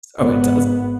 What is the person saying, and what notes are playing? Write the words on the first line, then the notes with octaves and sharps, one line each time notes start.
so it does.
G#1 B3